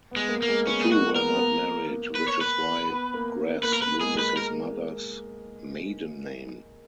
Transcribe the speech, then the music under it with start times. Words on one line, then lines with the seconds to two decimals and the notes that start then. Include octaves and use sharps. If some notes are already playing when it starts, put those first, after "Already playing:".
The two were not married, which is why Gress uses his mother's maiden name.
0.11 B3
0.16 G#3
0.29 A#3
0.42 A#3
0.48 G#3
0.66 B3 C#4
0.81 G#4
0.91 A#3 F#4
1.16 B3 A#4
1.35 B3
1.40 A#3
2.15 B4
2.28 C#5
2.41 B4
2.89 B3
3.14 A#3
3.63 A#3 B4
3.73 A#4
3.82 A#3 B4
3.94 A#3
4.01 G#3 G#4
4.19 A#3 B4
4.37 A#4